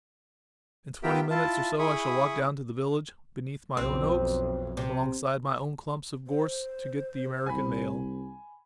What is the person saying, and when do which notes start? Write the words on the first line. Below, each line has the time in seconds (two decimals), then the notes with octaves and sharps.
In twenty minutes or so I shall walk down to the village, beneath my own oaks, alongside my own clumps of gorse, to get the American mail.
1.03 B3 F4 G4 A#4 E5 G5
1.30 E4 F4 A5
1.79 E4 G#4 B5 C#6 D#6
3.77 B1 F2 C4
4.77 C3
6.27 C5
7.46 C2 G#5 B5